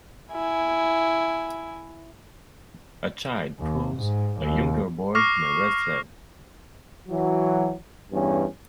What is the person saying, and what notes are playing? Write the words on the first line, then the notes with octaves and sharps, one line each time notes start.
A child pulls a younger boy in a red sled.
E4 G#5
D#2
G#2
D#2
C#6 D6 F6 A#6 C7
E3 F#3
E2 G2 C#4